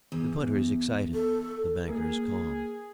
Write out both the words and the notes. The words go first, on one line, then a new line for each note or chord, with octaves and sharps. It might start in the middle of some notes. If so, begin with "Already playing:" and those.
The punter is excited, the banker is calm.
E2
A4
A#3 G#4